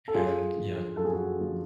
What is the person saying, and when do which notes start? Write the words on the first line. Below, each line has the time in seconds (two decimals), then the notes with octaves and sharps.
and, you know
0.08 A4
0.14 F#2 F4 G#4
0.56 D3 F3
0.97 F#2 A4
1.05 G#4
1.12 F#4 A4
1.38 D3 F3